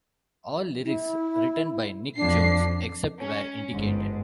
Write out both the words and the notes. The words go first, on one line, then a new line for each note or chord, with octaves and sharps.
All lyrics written by Nick Jones; except where indicated.
E4
F2 D4 C7
C#4
G1 G#2